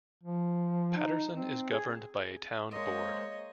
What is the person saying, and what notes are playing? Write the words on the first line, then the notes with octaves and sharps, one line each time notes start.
Patterson is governed by a town board.
F3
D#4
C4
G#4
G#3 A#3 C5 C#5 D#5